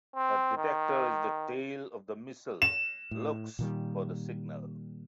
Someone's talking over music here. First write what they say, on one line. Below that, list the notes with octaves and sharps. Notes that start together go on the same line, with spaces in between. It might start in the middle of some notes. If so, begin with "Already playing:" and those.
A detector in the tail of the missile looks for the signal.
C4
D#3
E7
A2
A#2 D#3 G3